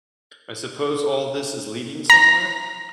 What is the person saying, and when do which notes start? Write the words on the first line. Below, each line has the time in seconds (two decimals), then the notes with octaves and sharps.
I suppose all this is leading somewhere?
2.10 A#5